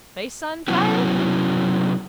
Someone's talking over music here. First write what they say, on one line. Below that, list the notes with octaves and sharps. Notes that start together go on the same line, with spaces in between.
Place on fire?
C3 F#3 B3 C#4 E4 F#4